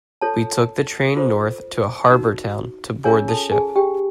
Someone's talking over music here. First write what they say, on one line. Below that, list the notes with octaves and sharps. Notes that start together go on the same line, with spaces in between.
We took the train north to a harbor town to board the ship.
F4 A4 C#5 A5
F4 A4 C5
D#4 F#4 A#4
C#4 F4 G#4 A#4 C#5 G#5
A4 A5
G#4 G#5
G4 G5